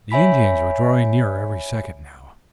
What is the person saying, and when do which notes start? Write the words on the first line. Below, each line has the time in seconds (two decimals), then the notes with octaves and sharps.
The Indians were drawing nearer every second now.
0.11 C#5 E5 G#5 B5 B6